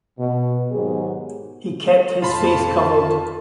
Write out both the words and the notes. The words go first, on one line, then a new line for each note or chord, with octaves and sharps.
He kept his face covered.
B2
G#2 D#3 F#3 B3 G4 G#4
F2 F4 A5 B5 C6